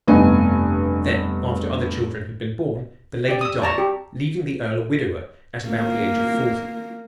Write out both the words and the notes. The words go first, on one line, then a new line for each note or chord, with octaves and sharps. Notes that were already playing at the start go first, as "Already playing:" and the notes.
Then, after other children had been born, the lady died, leaving the earl a widower at about the age of forty.
F1 G2 B3 D#4 G#5
G4 D5
D#6 E6
D5 A5 A#5 C#6
G4
A#3